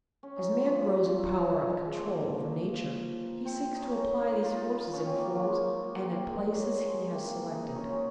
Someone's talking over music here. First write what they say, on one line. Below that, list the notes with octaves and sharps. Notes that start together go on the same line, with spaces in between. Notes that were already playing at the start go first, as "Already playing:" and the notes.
As man grows in power of control over nature, he seeks to apply these forces in forms and at places he has selected.
C#4
D#4
F4
D#4
F4
C#4
D#4
F3
G#3
A#3
C4
D#4
C#4
D#4
F4
F4
F4
C#4
C4
A#3
F#3
G#3
A#3
A#3
C4
G#3
F#3
G#3
A#3
C4
D#4
D#4
C#4
F#3